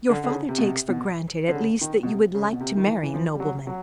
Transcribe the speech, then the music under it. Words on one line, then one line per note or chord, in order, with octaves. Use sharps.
"Your father takes for granted at least that you would like to marry a nobleman."
D3
D3
C#3
C3
B2
C3
B2
D3
C#3
D#3
B2
C3
C#3
B2
C3
D#3
E3
E3
F3
G3
F#3
F#3